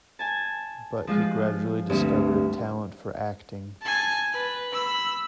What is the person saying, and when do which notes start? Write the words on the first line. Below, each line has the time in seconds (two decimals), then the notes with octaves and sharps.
But he gradually discovered a talent for acting.
0.19 G#5 A5
1.07 F3 G#3 F4
1.89 D2 G2 C4
3.82 G#5 A5
4.32 B4
4.73 B5 E6